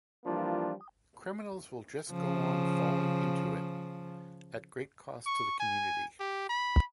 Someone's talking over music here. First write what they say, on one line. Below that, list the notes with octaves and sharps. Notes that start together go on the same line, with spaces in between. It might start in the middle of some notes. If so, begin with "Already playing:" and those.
Criminals will just go on falling into it, at great cost to the community.
E3 F3 G3 A#3 D4 F4
C#3 F3
C#6
G#5
G4
B5